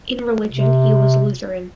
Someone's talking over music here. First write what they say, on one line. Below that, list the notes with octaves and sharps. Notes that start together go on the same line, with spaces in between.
In religion, he was a Lutheran.
C3